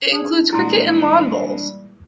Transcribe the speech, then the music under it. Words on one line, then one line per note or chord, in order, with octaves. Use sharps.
It includes cricket and lawn bowls.
D4 G#4
A#2 E3 G3 G#3 E4 C6